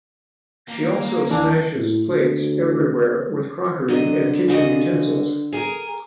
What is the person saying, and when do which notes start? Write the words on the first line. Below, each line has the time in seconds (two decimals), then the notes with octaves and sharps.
She also smashes plates everywhere with crockery and kitchen utensils.
0.68 A#3
1.31 D#2 E3 D4
1.76 A2
2.08 D2
3.88 D3 F#3 D#5
4.48 C#3 F#4 D#5
5.52 G#4 A#4